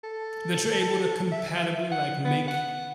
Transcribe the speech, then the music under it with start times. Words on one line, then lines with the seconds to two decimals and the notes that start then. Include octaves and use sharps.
that you're able to compatibly, like, make
0.04 A4
1.32 E5
1.92 F#5
2.25 B3
2.48 F#5